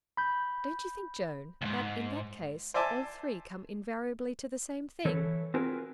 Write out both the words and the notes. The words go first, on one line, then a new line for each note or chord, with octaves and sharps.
Don't you think, Joan, that in that case, all three come invariably to the same thing?'
B5 G6
C#2 G#2
C5 D5 E5 G#5 A5
E3 A4 B4 C#5
C4 F4 F#4 G#4 A#4 B4